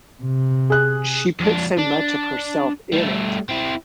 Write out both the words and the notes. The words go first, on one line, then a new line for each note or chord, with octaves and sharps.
She put so much of herself in it,
C3
G#4 F#6
F2 D4
D4
G3 A3
C4 E4